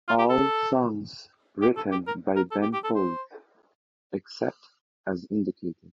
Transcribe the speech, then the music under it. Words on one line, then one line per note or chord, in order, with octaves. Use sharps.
All songs written by Ben Folds except as indicated.
F4
G4
A4
G4
A4
G4
A#4
A#4
A4
G4
G4
A4
C5